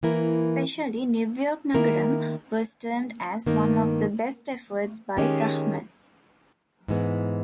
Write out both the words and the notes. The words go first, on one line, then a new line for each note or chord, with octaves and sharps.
Especially, "New York Nagaram" was termed as one of the best efforts by Rahman.
E3 A#3 E4 A#4
D#3 A#3 E4 A#4
G2 D#3 A#3 D#4
D#3 G#3 C#4 G4
G#2 E3 G#3 B3